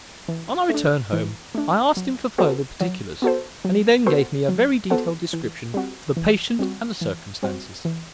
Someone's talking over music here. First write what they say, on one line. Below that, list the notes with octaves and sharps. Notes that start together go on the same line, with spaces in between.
On our return home I asked him for further particulars, and he then gave me a very detailed description of the patient and the circumstances.
E3
A3 D4
E3
A3 D4
F#3
B3 F#4 A4 C5
F#3
B3 F#4 A4 C5
F#3
B3 F#4 A4 C5
F#3
B3 F#4 A4 C5
E3
G3 C4 F#4
E3
G3 C4 F#4
E3
G3 C4 F#4
E3